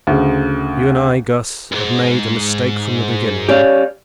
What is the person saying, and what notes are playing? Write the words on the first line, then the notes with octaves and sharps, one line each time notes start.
You and I, Guss, have made a mistake from the beginning.
D2 C#3
C#2 G#2
C#4 G4 C#5 D5 F5